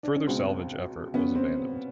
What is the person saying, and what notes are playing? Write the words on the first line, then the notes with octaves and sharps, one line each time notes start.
Further salvage effort was abandoned.
D4
C#4
C#2 B2 G#3 C4
B3 C#4
C4